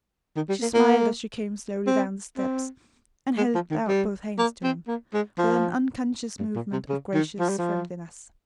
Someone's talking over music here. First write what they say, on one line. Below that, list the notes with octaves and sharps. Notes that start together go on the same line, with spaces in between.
She smiled as she came slowly down the steps, and held out both hands to him with an unconscious movement of gracious friendliness.
D#3
G3
A#3
A#3
C4
C4
G#3
F3
D#3
G3
A#3
C4
A#3
G#3
F3
G2
A#2
C3
C#3
D#3
F3
G3
F3